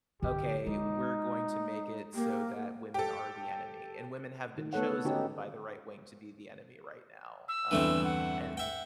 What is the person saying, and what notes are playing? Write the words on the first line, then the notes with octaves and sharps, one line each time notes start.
"Okay, we're going to make it so that women are the enemy," and women have been chosen by the right wing to be the enemy right now, um, and
G2 D3 G4
G#3 D#4
A#3 G4
G4 A4
D#3
A3 B3 A4 C#5 F#5
D3 C#4 D#4 F#4 G4
E6
E2 G2 D3 E3 A3 C4
F#5
E5 F#5 G5